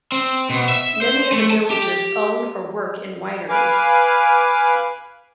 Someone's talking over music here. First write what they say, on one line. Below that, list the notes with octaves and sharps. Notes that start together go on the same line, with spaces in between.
Many of the villagers own or work in wineries.
C4
B2
E5
C5
A3
A5
G4
B4 F5 G#5 D6